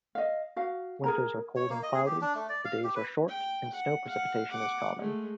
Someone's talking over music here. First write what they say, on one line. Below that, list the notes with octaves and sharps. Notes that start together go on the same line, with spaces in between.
Winters are cold and cloudy; the days are short and snow precipitation is common.
D#5 F5
F#4 F5
G#4 A#4 A#5
C#5
A#3
D#5
G#4
G4
D4
A3
D5
F5
G4
B4
G5
F#5
F5 F#5
F#5 D6
G#3 A3